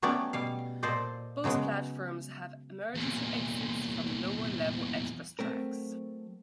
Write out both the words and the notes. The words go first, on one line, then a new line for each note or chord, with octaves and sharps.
Both platforms have emergency exits from the lower level express tracks.
F#3 A3 B3 C#4 G4 D5
B2 G3 F5
A#2 A4 C5 D5 D#5
C#3 F#3 G#3 B3
E2 A#2
F#3 A3 C4 A#4